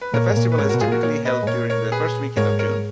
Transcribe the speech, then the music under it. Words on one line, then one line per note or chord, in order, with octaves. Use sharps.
The festival is typically held during the first weekend of June.
B4
A#2 A#4 C#5
G#2
A#2
B4
G#2 A#4 C#5
F#4 A#4
B2
G#2 F4 G#4
A#2 F#4 A#4
A#2 A#4 C#5
B4 D#5
G#2
A#2 A#4 C#5
A#4 C#5
G#4 B4
G#2 A#4 C#5
A#4 C#5